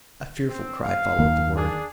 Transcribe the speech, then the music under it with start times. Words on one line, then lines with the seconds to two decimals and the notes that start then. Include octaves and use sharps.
A fearful cry followed the word.
0.49 C4
0.82 F5
1.19 D#2 A#3
1.55 D4 G#4